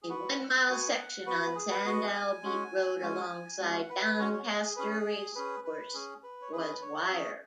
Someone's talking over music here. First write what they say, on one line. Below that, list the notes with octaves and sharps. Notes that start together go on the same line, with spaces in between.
A one mile section on Sandall Beat Road alongside Doncaster Racecourse was wired.
G#4
B3 F#4 B4
F#5
B3 F#4 G#5
D#5
F#5
B3 F#4 B4
B4
G#4
B4
B3 F#4 D#5
F#5
G#5
G#3 C#4 F#4
G#3 C#4 F#4
G#3 C#4 F#4 F#5
B4
G#3 C#4 F#4 C#5
C#5
G#4
G#4
C#4 G#4 B4
G#4
C#4 G#4 B4
B4
C#4 G#4
B4
C#5
C#4 G#4 B4
C#5
C#4 G#4